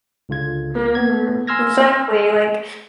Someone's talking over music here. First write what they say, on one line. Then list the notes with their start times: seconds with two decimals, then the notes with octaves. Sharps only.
Mhm, exactly, like,
0.29 C#2 D3 F4 G#6
0.95 B3 G#6
1.47 G#5 C6 E6 F6 G#6 A#6